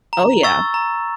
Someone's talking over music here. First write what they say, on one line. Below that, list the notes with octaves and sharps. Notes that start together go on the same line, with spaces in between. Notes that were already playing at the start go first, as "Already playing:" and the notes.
Oh yeah.
A#5
C#6 E6 A6
A#5